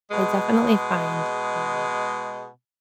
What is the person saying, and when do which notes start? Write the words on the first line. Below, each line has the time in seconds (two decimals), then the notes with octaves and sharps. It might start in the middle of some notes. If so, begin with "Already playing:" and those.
I definitely find, um
0.11 B2 G#3